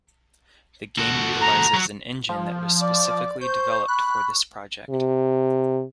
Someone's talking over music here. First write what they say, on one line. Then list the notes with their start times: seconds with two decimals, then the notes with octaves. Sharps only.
The game utilizes an engine that was specifically developed for this project.
0.98 F#4 A4
1.41 A#5
1.74 F#3
2.29 F3
2.81 D5 D6
3.41 C5 C#6 G6
3.88 B5 F#6
4.90 C3